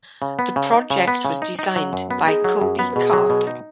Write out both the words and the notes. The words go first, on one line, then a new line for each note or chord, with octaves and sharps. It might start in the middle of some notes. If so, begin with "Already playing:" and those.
The project was designed by Kobi Karp.
C#3
B3
C#3
D#4
C#3
B3
C#3
D#4
D#4
F#3
F#2
B3
D#4 G#4
F#3
F#2
B3
B4
B2 G#4
F#3
B2
D#4